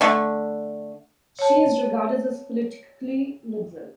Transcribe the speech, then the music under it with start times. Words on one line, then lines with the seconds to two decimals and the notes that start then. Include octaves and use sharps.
She is regarded as politically liberal.
0.01 D3 A3
1.39 C#5 A5